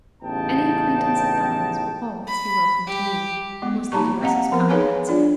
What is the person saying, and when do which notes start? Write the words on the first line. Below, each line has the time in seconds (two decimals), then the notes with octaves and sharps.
"Any acquaintance of Anne's will always be welcome to me," was Lady Russell's kind answer.
0.22 A1 C#3 B3 D#4 G5 A5
2.27 B5
2.87 G4
3.62 G#3 B3
3.92 A#3 D#4 G4 A5 A#5 C#6
4.21 C4 D#5 F5 F#5 A#5
4.52 F3 B3 A#4
4.69 D#4 G#4 B4 C#5 F5 G#5
5.08 D4 F4 D5